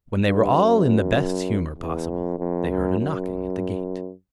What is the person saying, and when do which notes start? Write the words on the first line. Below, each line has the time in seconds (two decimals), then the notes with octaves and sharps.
When they were all in the best humour possible, they heard a knocking at the gate.
0.24 G2
0.55 F#2
1.78 E2
2.09 F2
2.39 F2
2.70 F#2
3.01 F#2